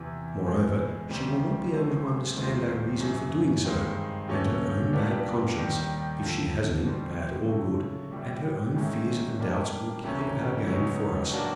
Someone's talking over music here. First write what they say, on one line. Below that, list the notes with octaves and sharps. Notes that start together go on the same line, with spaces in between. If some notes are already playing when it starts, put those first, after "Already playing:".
Moreover, she will not be able to understand our reason for doing so, and her own bad conscience--if she has any, bad or good--and her own fears and doubts will play our game for us.
Already playing: E2 C3 E3
E2 B2 G#3
D2 C3 E3 G3 C4
C#2 C#3 F#3 A3 C4
D#2 D#3 G#3 C4 F4
F#2 C#3 E3
G2 D#3 G#3 C4 D#4
D#2 C#3 F#3 A3 C#4
A#2 G3 B3 D4
D#2 D#3 G3
D#2 D3 F3
B2 G3 C4
C#3 F#3 A3
A2 E3 G3
G#2 D#3 G#3 C#4 E4
B2 G3 A#3 D4
D2 C3 E3 A3 C#4
C#2 C#3 F#3 B3 D#4
A2 F#3 A#3 D4 F#4